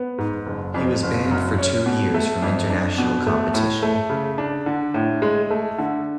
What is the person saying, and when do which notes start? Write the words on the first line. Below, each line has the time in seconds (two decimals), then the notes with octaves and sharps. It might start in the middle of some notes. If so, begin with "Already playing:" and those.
He was banned for two years from international competition.
Already playing: B3
0.18 G#2
0.46 F#1
0.74 F2
1.03 F#1
1.31 F#2
1.59 C#4
1.86 B2
2.14 A3
2.42 F2
2.70 D4
2.98 B2
3.27 A3
3.54 A2
3.83 A3
4.10 C#3
4.38 D4
4.66 D3
4.94 A2
5.22 G#3
5.50 A3
5.78 D3